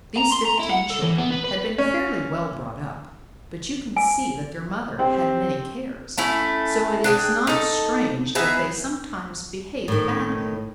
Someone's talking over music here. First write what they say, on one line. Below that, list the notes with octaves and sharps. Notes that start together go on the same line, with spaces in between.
These fifteen children had been fairly well brought up, but you can see that their mother had many cares; so it is not strange if they sometimes behaved badly.
A#5
C6
A#5
E4
F#5
A4
E3
B3
B4
B4
C#4
G#5
C4 G4 G5
A3 C#4 E4
D4 G#4 G5
D#4 A4
B3 D#4 G#4 E5
A2 D#3